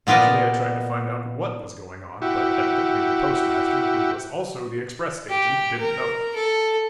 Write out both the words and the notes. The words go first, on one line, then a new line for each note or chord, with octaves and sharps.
Naturally I tried to find out what was going on but evidently the Postmaster, who was also the express agent, didn't know.
A#2 B3 F4 D5 D#5
E4 F#4 G4
G4
A#4
A4